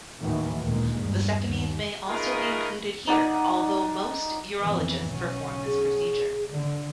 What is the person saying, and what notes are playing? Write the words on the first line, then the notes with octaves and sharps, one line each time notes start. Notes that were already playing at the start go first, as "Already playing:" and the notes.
Vasectomies may also be included here, although most urologists perform this procedure.
D#2 A2 D#3 E3 F#3 A3
D2 A#2 G#3 A#3
E2 G2
D#2
A3 D#4 F4 G#4 A#4 B4
D#4 D5 F#5 G#5
F2 E3 B3
B1 F#3 C#4
G#4
D3